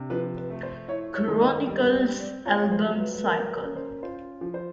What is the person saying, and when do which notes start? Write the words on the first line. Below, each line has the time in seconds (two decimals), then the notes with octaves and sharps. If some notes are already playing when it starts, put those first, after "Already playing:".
Chronicles album cycle.
Already playing: C3 D4
0.10 F3 B4
0.37 B4
0.50 A3
0.63 C5
0.88 E4 C#5
1.15 C#5
1.28 D#3
1.41 D#5
1.67 G3 D#5
1.93 D5
2.07 C4
2.20 D5
2.45 F4 C#5
2.53 C5
2.60 C#5
2.71 C5
2.85 F#3
2.98 B4
3.14 B4
3.23 A#3 A#4
3.50 B4
3.63 C#4
3.76 C5
4.03 F4 C5
4.41 F3
4.54 C5